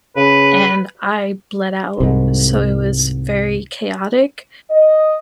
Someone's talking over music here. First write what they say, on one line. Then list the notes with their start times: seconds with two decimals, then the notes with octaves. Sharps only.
and I bled out. So, it was very chaotic,
0.16 C#3 B4
2.00 C2 G#2
4.70 D#5